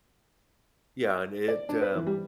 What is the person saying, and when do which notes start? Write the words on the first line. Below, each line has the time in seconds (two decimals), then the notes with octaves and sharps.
Yeah, and it, um,
1.48 D5
1.69 D4
1.82 B4
1.95 E3
2.07 G3